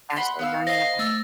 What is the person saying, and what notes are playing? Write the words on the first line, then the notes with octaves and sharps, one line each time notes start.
Actually learning about it.
F#5 B5 C6
B3 F5 E6
C5 D#5 F5 A#6
A3 E6